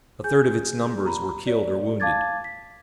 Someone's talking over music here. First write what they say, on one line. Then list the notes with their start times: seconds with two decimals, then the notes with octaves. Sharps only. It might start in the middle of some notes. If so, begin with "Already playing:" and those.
A third of its numbers were killed or wounded.
0.24 G#4 G#5 G6
1.05 G4 A#5 B5
1.47 C#5 D5
2.00 F5 A5 D6 G#6 A6
2.44 B6